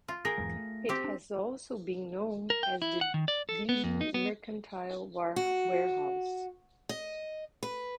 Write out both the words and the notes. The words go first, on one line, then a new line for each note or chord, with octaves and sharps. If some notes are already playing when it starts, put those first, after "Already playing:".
It has also been known as the Glidden Mercantile Warehouse.
F4
G#4 A#4 G5 A#6
E2 G#2 E3
A3
C4 G4
D4
A#4
G5
E4
F#5
D#3
D5
A4
B3
F2
D#4
B3
F#4
D#5
B4